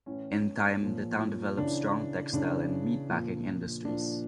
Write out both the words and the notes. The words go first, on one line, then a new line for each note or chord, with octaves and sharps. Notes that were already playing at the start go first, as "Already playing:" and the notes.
In time the town developed strong textile and meat-packing industries.
A2 E3 C#4
A#2 F3
C#3 E3 D4
C#3 E3 D4
A#2 F3
A#2 F3 D4